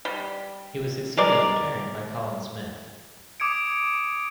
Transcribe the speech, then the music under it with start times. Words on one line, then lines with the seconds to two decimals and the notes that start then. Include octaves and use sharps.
He was succeeded in turn by Colin Smith.
0.05 G3
1.17 G#3 A#4 D5
3.40 D6 D#6 G#6 C#7 D7